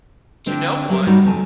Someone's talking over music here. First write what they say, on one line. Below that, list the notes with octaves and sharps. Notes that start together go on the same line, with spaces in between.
to no one
D3 C4 D4 C5
F#3 G4 A#4
G3 D#4 F#4 C5 C#5 F#5
F2 C#3 F#3 C#4 G#5 A5